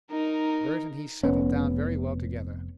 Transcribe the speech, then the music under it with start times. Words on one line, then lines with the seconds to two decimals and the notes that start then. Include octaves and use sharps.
Bert and he settled down very well together.
0.11 D#4 A#4
1.23 F1 B3 C#4